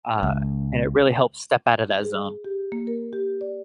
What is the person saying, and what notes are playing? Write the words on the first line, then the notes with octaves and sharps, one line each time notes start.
Uh, and it really helps step out of that zone.
C#2
G#4
G4
A#3
A#4
G4
D5